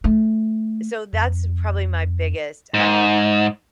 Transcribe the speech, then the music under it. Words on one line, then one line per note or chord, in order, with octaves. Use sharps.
so, that's probably my biggest, um
A3
F2
G#2